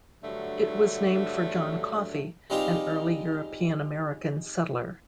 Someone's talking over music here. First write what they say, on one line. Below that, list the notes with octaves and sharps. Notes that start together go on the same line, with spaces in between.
It was named for John Coffee, an early European-American settler.
G2 D3 F#3 A3
G3 G#3 C4 D#4 F4 G4